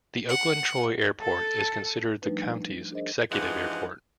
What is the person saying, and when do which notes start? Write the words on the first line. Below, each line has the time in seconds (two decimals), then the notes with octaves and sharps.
The Oakland-Troy Airport is considered the County's 'executive' airport.
0.29 F#5
1.21 A4 A5
2.22 F3 G3 A3 D4 D#4 B4
2.91 D4 G#4 A#4 C5 D#5
3.32 G2 E3 F3 G#3 D#4 F#5